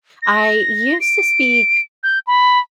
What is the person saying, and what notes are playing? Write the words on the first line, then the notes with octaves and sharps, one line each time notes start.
I used to speak
A#6
D7
G6
B5